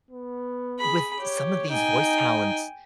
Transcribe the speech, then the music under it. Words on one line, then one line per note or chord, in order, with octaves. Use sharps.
with some of these voice talents,
B3
G#4 B5
G4 C#5
D#4 G5 G#5